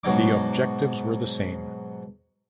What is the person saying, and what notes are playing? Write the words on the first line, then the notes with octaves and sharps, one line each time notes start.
The objectives were the same.
G#2 B2 F#3 D#4 D6